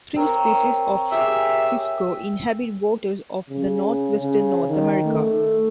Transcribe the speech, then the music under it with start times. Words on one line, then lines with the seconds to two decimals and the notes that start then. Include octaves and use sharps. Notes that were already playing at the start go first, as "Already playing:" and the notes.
Three species of cisco inhabit waters of the northwestern North America.
0.16 C4 A#4 C#5
1.12 G4 G#4 E5 C#6
3.50 C#3
4.18 C#3
4.69 D#3
5.05 A3